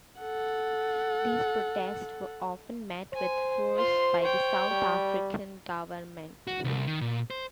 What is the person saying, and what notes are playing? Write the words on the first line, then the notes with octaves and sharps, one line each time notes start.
These protests were often met with force by the South African Government.
A4 F#5
C5 G#5
F4 C6
C#5 G5
G3
F#4
C2
D#3
A#2
C5